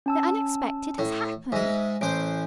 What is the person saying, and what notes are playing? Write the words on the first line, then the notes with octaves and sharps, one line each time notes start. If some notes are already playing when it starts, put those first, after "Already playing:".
"The unexpected has happened!"
C#4 A5 E6
A2
G#2 G#3 E5
A1 C5 D7